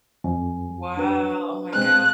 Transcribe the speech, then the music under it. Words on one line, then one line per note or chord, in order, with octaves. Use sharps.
Wow, oh my gosh.
F2 G#5
D4 B4
B2 G#3 C4 F#6